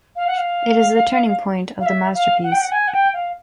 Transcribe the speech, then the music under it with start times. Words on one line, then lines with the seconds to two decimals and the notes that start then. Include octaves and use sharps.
It is the turning point of the masterpiece.
0.16 F5
0.27 F#5
0.37 F5
1.80 F5
1.86 E5
2.14 F5
2.43 F#5
2.52 G5
2.60 F#5
2.72 G#5
2.87 F#5
2.93 G5
3.13 F5